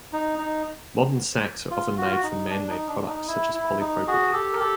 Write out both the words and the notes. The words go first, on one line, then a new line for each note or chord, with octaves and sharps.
Modern sacks are often made from man-made products such as polypropylene.
D#4
D#4
F4
F#4
F4
F#4
D#4
D4
D#4
D4
D#4
E4
E4
D#4
F#4 G#4
G4 A4
A#4
G4 A4